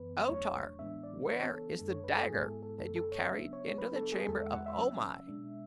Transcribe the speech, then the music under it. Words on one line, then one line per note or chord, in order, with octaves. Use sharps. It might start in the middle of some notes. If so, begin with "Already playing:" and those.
O-Tar, where is the dagger that you carried into the chamber of O-Mai?
Already playing: F#2 E3 B3 B4
E2 C#3 F#3 A3 D4 C#5
A2 E3 G#3 B3 D4 E5
D5
C#3 E3 B3 D4 C#5
A4
F#2 D3 G#3 D4 A4
C#5
B4
A4
G#2 G#3 B3 E4 G#4
A4
A4
F#2 D3 A3 A4
A4
C#5
C#3 F#3 B3 D4 E5
C#5
C#3 F#3 B3 D4 B4
A4
G#4
E2 D3 G#3 A4
E5
F#5
E5
C#3 F#3 C#4
B2 G#3 D4